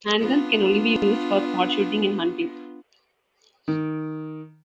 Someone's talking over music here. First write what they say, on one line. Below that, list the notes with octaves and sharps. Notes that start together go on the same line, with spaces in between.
Handguns can only be used for sport-shooting and hunting.
B3 D4 F4
D#3